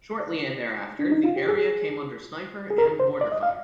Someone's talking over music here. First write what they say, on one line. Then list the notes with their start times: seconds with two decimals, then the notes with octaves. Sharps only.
Shortly thereafter, the area came under sniper and mortar fire.
0.19 D5
0.99 D4
1.11 D#4
1.24 F4
1.36 G4
1.49 G#4
2.70 G#4
2.78 A#4
3.00 C5
3.21 D5
3.32 D#5
3.43 F5